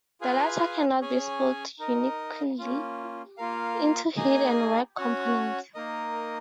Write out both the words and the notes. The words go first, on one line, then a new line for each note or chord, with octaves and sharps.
The latter cannot be split uniquely into heat and work components.
F4 G#4 B4 F5 G#5
C#4 G#4 C#5 G#5
D#4 A#4 D#5
A#3 C#4 F4
A#3 F4 A#4 F5
A#3 D#4 G#4 D#5 G#5
C#4 F#4 C#5 F#5
A#3 D#4 A#4 D#5